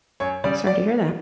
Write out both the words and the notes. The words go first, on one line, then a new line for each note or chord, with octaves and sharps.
Sorry to hear that.
F#2 C#5
C#3 G3 D5
D5